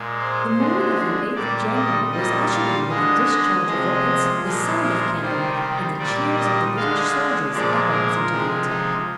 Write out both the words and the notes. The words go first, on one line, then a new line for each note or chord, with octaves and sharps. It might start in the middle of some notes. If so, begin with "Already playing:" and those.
The morning of the eighth of January, was ushered in with the discharge of rockets, the sound of cannon, and the cheers of the British soldiers advancing to the attack.
Already playing: A#2 G#3
C5
D3 G#3
A#2 G3 D5
D#5
A#2 G3 D#5
F5
D3 G#3 D#5
D#5
C3 F3 G#3 D#5
A#2 F3 G#3 C5
A#4
C3 D#3 G3 C5
C5
A#2 G3 D5
D#5
D3 G#3 F5
A#2 F3 G#3 D5
A#4
C3 F3 G#3
D#4